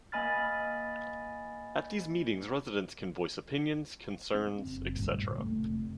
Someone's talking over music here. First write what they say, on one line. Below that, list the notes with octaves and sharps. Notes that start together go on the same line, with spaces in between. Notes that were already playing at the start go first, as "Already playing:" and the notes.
At these meetings residents can voice opinions, concerns, etc...
A#3 D#5 G#5 B5 F6 A6
C4
F#1
D2 G2 A#2
F1 C3 A3